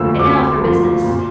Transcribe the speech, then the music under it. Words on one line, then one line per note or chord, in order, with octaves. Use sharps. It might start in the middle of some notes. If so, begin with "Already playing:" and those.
And now for business.
Already playing: D2 D3 F3 A#3 E6
D2 D6
D3 F3 A#3
A#2